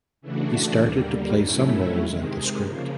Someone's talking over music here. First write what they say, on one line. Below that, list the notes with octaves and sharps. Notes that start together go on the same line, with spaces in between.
He started to play some roles in the script.
C#3 E3 A3 D4 F#4
D#2 D3 G3 A#3
A2 F#3 A3 C#4 E4
C3 D#3 G#3
C#3 F3 A#3